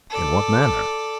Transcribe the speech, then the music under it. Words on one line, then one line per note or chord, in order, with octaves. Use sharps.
"In what manner?"
A4 D5